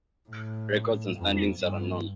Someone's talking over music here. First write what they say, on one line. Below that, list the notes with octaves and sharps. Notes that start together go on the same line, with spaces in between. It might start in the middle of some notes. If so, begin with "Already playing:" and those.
Records and standings are unknown.
A2
F2
G2